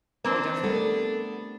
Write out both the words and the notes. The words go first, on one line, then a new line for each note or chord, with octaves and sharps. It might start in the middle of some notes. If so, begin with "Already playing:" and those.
Oh, definitely.
A#3 C4 D4 B4
G3 A3 B3 C4 A4 A#4